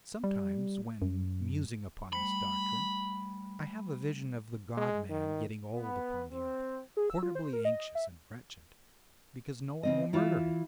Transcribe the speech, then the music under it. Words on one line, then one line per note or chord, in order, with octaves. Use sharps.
Sometimes, when musing upon this doctrine, I have a vision of the God-man getting old upon the earth, horribly anxious and wretched, because no one will murder him.
G3
F#2
G3 A3 C5 B5
G#3
D#3
B3
C4
G#4
E6
F4
C5
A#4
D#5
E5
C#3 C4 D#5
E3 E4 F4